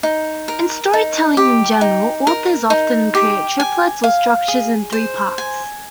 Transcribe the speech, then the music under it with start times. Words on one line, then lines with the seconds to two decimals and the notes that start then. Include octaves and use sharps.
In storytelling in general, authors often create triplets or structures in three parts.
0.03 D#4
0.48 A#4
0.93 D#4
1.37 G4
1.81 D#4
2.27 A#4
2.70 D#4
3.15 G4
3.60 G#5
4.04 F5
4.48 G#4
4.92 C5
5.38 G#5